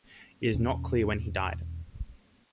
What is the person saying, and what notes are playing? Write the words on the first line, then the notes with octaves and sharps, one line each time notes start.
It is not clear when he died.
E2 B2 C#4